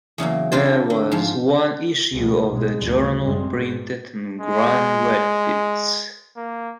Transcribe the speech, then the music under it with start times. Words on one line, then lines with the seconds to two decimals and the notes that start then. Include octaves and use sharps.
There was one issue of the journal printed in Grand Rapids.
0.18 E2 C#3 F#3 A#3
0.52 C4 D4 F4 A4 B4 C5
0.90 D3
1.12 G#2 F3
2.13 C#2 B2 F3
2.51 B1 G#2 G#3
2.79 A1 D2 G2
3.22 A1 F#2 G3 G#3 C4
3.55 G#2
4.41 G#3
6.37 A#3